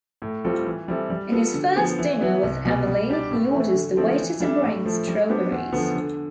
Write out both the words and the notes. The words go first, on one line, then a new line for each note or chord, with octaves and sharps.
In his first dinner with Emily, he orders the waiter to bring strawberries.
A2
G3 C4 F4 A4
E3
G3 C4 E4 A4
G3
B3 F4 A4
D3
F3 B3
E3
B3 E4 B4
C2
B2 G3 B3
G3
D4 G4 D5
A2
E3 A3
D3
F3 A3 C4
E3
G3 D4 A4 E5
A2
F3 A3
G3
B3 D4 G4 C5
E2
D3 F3 B3
D3